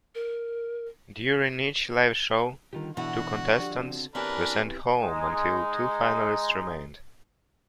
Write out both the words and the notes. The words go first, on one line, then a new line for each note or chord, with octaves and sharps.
During each live show, two contestants were sent home until two finalists remained.
A#4
D3 D#3 G3 F4 G4 A#4
B2 D3 E3 E4 F#4 F#5
F3 G3 D4
C#3 C4 F#4
E2 E3 C4 D4 G4 A#4 B4 C#5
G#3 D#4